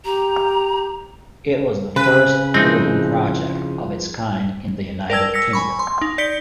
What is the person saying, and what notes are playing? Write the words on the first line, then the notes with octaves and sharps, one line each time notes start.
It was the first urban project of its kind in the United Kingdom.
G4 A#5
C#3 B4
F3 G#3 C4 D#4 E4
A#4 D5 G5 A5 E6 G#6
E6 A#6 B6 C#7
G#5 B5 C#6
C6
D#4
D5 G6 B6 C#7 D7 G7